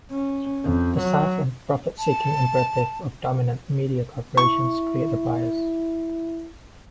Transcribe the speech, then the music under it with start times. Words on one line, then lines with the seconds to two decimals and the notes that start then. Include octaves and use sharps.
The size and profit-seeking imperative of dominant media corporations create a bias.
0.11 C#4
0.65 F2
1.00 F#3
1.99 A5
4.37 E4 C#6